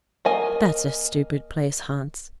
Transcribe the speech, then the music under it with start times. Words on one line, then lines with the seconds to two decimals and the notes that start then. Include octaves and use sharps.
'That's a stupid place, Hans.
0.25 A#3 D#5 G#5